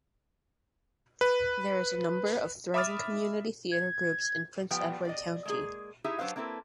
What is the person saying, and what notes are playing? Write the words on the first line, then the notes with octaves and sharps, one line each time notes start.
There is a number of thriving community theatre groups in Prince Edward County.
B4
E5 B5 D6 D#6 F6 A6
G#6
F3 G3 B3 G5
D5 D#5
G#3 A#3 G#4
D#4 E4 G4 G#4 E5
F#3 D4 E4 B4 C5 F5
A#3 C4 E4 A4 B4